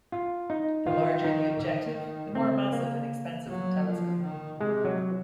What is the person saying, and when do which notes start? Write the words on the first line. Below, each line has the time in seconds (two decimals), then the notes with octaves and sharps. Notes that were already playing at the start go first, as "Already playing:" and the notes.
The larger the objective, the more massive and expensive the telescope.
0.12 F4
0.50 D#4
0.86 D#3 F4
1.24 D#4
1.61 D#3
2.35 C#3 C4
2.73 A#3
3.48 F#3
3.86 F3
4.23 D#3
4.60 C3 G#3
4.85 F#3